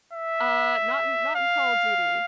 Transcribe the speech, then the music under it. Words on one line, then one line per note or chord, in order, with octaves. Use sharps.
Uh, not in not in Call of Duty.
E5
F5